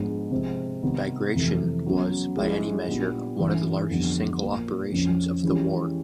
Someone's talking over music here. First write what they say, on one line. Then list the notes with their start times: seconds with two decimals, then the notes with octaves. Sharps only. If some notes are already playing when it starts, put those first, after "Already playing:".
"Bagration" was, by any measure, one of the largest single operations of the war.
Already playing: G#2 F3 G#3 B3 D4
0.31 C3 F3 G#3 C4
0.83 C3 D#3 G3 B3
1.34 F2 C3 E3 A3
1.86 C#3 F#3 B3
2.36 F3 G#3 C#4 E4
2.88 A#2 G3 B3 D4 G4
3.38 G2 E3 A3 C#4
3.90 F2 D3 G3 B3
4.41 A#2 F3 A#3
4.92 F2 C#3 F3
5.43 E3 G#3 C#4 E4 G4